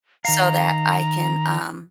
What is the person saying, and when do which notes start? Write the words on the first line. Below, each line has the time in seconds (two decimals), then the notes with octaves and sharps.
so that I can, um
0.25 D#3 F5 A#5